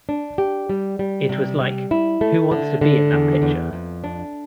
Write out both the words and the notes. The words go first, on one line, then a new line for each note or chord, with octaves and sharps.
It was like, 'Who wants to be in that picture?
D4
G4
G3
G3
C3
G3
E4
A3
D3
D3
E2
E2
F2
D4